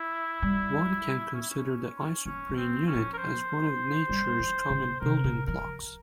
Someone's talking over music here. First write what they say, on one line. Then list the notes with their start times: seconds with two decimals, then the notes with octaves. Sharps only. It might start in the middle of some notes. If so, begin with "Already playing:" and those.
One can consider the isoprene unit as one of nature's common building blocks.
Already playing: E4
0.42 G3
1.34 C#4
1.41 E4
1.50 C#4
2.26 F3 C#4
2.49 E3
2.57 C4
2.87 C#4
2.94 F3
3.13 A#4
3.18 C5
4.09 G3
4.40 E3
4.70 C#3
5.01 C3 A#4
5.24 C#3
5.47 F3 A#4